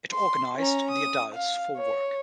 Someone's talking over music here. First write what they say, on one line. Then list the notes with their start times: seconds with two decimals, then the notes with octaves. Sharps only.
It organized the adults for work.
0.12 C6
0.58 C#4 A#5
0.91 D#6
1.34 F5
1.77 C#5